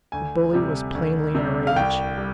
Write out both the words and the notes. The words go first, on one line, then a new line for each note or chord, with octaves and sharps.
The bully was plainly in a rage.
D2 G#5
C3 G3
D2
C3 G3
F5
C2 G5
G3